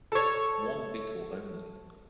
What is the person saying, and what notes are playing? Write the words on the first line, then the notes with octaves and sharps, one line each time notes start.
One beetle only.
A4 C#5